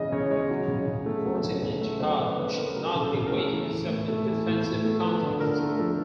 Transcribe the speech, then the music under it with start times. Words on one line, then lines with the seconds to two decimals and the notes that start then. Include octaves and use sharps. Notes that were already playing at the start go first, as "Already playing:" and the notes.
Accordingly, jihad should not be waged except in defensive contexts.
Already playing: C#3 E3 G#3 D#5
0.12 C#3 C#5
0.30 G#3 C#5
0.50 F#3
0.68 C#3
0.87 C#3
1.06 A3
1.25 F#3
1.44 C#3
1.62 C#3
1.81 A3
2.00 F#3 C5
2.19 C#3 B4
2.38 C#3 B4
2.57 A3 A#4
2.76 F#3 A#4
2.95 C#3
3.02 A4
3.14 C#3
3.27 A#4
3.33 A3
3.52 E3
3.70 A2
3.90 A2
4.08 A3
4.27 E3
4.46 A2
4.65 A2
4.85 A3
5.03 F3 B4
5.22 D3
5.40 D3 A#4
5.59 A3
5.79 F3 A4